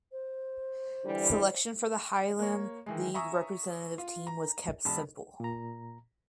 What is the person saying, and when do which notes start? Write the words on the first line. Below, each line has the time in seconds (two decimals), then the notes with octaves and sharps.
Selection for the Highland League representative team was kept simple.
0.12 C5
1.05 D3 E3 G3
2.39 A#3 C#5
2.86 D#3 E3 G#3
3.14 E5 G#5 A#5 C#6 D#6 E6
3.98 F4
4.27 A#5
4.85 E1 A5 B5
5.40 A#2 A#5